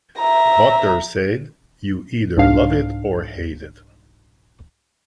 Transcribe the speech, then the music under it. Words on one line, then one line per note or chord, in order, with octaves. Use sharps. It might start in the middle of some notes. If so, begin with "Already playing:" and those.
Butters said, You either love it or hate it.
E5 A#5
C2 G#2 D4 F5